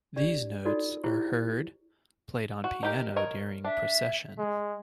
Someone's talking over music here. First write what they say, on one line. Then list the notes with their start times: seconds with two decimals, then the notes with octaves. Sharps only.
These notes are heard played on piano during Procession.
0.16 D4 G4 D5
0.65 D#4 F4 F#4 A4 C#5 D5
1.04 E4 F4 G4 G#4 C5
2.64 F#4
2.83 D#4 G4 A#4
3.16 A#4 C#5 D#5
3.65 D4 E5
4.38 G#3